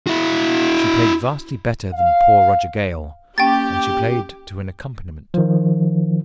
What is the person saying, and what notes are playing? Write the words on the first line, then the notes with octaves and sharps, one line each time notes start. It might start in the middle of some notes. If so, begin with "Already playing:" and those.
She played vastly better than poor Roger Gale, and she played to an accompaniment.
E4 F#4
F5
A#3 C#4 G4 G5 A6
D#3 F3